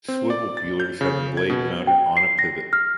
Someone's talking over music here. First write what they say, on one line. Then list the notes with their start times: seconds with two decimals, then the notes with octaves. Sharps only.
Swivel peelers have the blade mounted on a pivot.
0.08 C4
0.30 D5
0.57 A6
0.80 G6
1.01 C#3
1.37 G#6
1.50 B2
1.87 G5
2.17 C7
2.39 A#6
2.73 F6